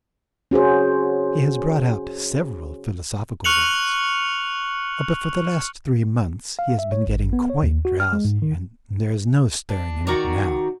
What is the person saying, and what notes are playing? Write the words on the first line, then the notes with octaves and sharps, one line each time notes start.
He has brought out several philosophical works, but for the last three months he has been getting quite drowsy, and there is no stirring him up now.
C#4 F#4 G#4 C5
C#6 F6 F#6 C#7 F7 F#7
F5
E5
C#5
G#1
B3
C#5
D#2
F#4
F6
G#3
G#2
D#3
D4
D#3 F#4 D5 A#5